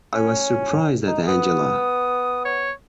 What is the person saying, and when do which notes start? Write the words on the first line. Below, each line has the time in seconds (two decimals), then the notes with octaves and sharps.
I was surprised at Angela.
0.14 C#4
1.07 D#4
1.28 B3 D#6
2.45 C#5